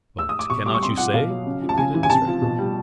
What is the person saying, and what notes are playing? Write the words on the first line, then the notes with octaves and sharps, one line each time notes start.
"But cannot you say?" he pleaded, distractedly.
E6
D#6
D6
B2 C#6
G3 D6
C#6
C3 C6
F3 F#5
B2 F5
F#3
C#3
F3
A5
C#3 G#5
E3
G#5
C3 A5
F3
B2
G3